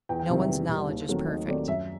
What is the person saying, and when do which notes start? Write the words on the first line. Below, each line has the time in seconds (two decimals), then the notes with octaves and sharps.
No one's knowledge is perfect.
0.09 E2 G5
0.19 G5
0.30 C3 D#3 G3
0.39 E5
0.49 E2
0.69 C3 D#3 G3
0.89 D#2
1.08 D#3 F#3 A3 C4
1.28 D#2 D#5
1.48 D#3 F#3 A3 C4 D5
1.67 F#2 E5